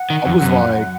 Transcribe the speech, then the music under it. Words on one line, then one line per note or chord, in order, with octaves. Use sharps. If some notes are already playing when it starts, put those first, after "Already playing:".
I was like
Already playing: F#5
D#3
F2
F#2